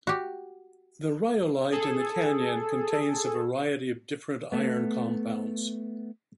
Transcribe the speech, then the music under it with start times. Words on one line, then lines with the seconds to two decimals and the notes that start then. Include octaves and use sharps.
The rhyolite in the canyon contains a variety of different iron compounds.
0.07 F#4 G4
1.72 G#4 A4
4.52 A3 B3